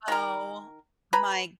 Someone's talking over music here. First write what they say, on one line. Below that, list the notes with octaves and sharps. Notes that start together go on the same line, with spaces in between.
Oh, my
D#3 A#4
B4 G#5 A#5 B5